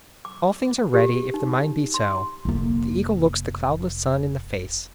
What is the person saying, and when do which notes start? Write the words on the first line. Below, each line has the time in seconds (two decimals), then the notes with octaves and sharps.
"All things are ready if the mind be so." The eagle looks the cloudless sun in the face.
0.25 D6
0.94 G4
1.34 D#4
1.94 C6
2.45 F1 A#3